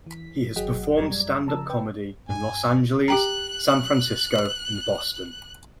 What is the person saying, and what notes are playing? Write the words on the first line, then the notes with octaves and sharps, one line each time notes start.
He has performed stand-up comedy in Los Angeles, San Francisco, and Boston.
E3 B6
G1 F#3 G#4 D#5 F#5 G5
F#2 G3 D5 A#5 G#6
C#3 F3 A5 A#5 E6
B4 G5
G2 G#5
G4 G5 A#5 F#6